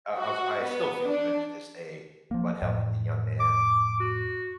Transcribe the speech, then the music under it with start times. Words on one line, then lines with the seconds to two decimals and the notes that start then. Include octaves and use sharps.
uh, I was I still feel good to this day about helping the young man,
0.18 F#4
0.63 B3
1.07 D4
2.31 F3 A#3
2.62 F2 A2
3.40 D6
4.00 F#4